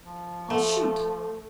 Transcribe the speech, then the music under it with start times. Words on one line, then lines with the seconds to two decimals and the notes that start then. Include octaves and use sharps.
I'll shoot!
0.02 F3
0.50 A3